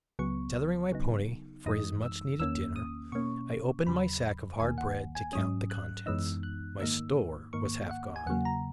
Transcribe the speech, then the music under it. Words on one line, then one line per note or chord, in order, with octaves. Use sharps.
Tethering my pony for his much-needed dinner, I opened my sack of hard bread to count the contents; my store was half gone.
C#2 C#3 F#3 B3 C#6
C#3 F#3 B3 D#4
F#2 E3 G#3 D#4 D#6
E6
E2 D#3 A#3 C#4 E6
D#6
B2 A#3 C#4 C#6
E2 C#3 F#3 B5
D#2 D#3 A#3 G#5
F#5
G#5
G#2 F#3 C#4 D#6
F#6
F#2 E3 G#3 B3 D#4 E6
F#6
G#2 D#3 A#3 D#4 E6
G#2 D#3 A#3 C#6
F#5
G#5
E2 C#3 F#3 A#3 F#5
A#5